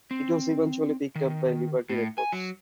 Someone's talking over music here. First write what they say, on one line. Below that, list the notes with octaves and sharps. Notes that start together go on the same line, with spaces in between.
It was eventually picked up by Liberty Records.
C4
D#3
A2
G#5
F#3